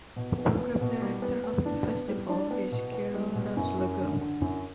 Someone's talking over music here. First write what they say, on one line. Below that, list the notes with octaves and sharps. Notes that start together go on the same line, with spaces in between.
The program director of the Festival is Kirill Razlogov.
B2
B3
B3
B2
G3
B3
B3
D4
B3
G3
D4
B3
B2
B3
G3
B2
F#2
F#2
D3
D3
F#2